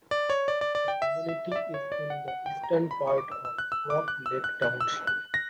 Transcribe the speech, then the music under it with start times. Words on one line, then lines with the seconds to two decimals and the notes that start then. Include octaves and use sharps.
The community is in the eastern part of Carp Lake Township.
0.11 D5
0.30 C#5
0.48 D5
0.61 D5
0.75 D5
0.88 G5
1.02 E5
1.29 E5
1.52 D5
1.56 E5
1.74 C#5
1.92 D5
2.10 F#5
2.28 F#5
2.46 G5
2.64 A#5
2.91 B5
3.07 C#6
3.18 D6
3.32 E6
3.45 E6
3.58 F#6
3.72 E6
3.90 D6
4.08 F#6
4.26 E6
4.44 F#6
4.62 F#6
4.81 E6
5.07 F#6
5.34 A#6